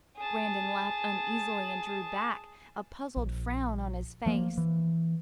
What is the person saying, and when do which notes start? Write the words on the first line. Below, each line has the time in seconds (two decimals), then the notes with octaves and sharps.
Brandon laughed uneasily and drew back, a puzzled frown on his face.
0.17 G#4 A5
3.16 A#1
4.26 F3 A#3
4.58 E3